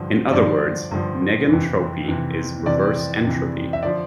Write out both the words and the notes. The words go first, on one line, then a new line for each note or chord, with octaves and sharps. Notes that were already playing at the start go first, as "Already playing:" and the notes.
In other words, negentropy is reverse entropy.
Already playing: G2 D3 F3
G2 D3 F3 D5
G2 D3 F3
F2 C3 E3
F2 C3 E3
F2 C3 E3 D5
F2 C3 E3
E5
D3 F3 D5